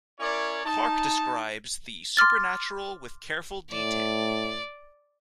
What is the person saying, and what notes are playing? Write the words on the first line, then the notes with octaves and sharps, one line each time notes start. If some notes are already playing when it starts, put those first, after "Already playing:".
Clarke describes the supernatural with careful detail.
C#4 E4 A#4 C#5 D5
D#4 A5
C6 D6 F6 A6
A2 D5